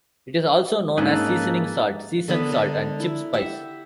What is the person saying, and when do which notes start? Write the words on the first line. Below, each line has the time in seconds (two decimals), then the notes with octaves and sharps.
It is also known as seasoning salt, season salt, and chip spice.
0.98 G#2 A#3 C#4 D#4 G#4 A4 B4
2.28 D3 B3 B4
2.49 D3 A#4
3.00 E4
3.33 G4 E5 F#5